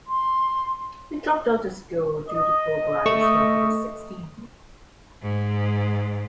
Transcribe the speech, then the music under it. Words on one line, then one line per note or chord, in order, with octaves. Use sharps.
He dropped out of school, due to poor grades, when he was sixteen.
C6
D#5
A3 C#6
G#2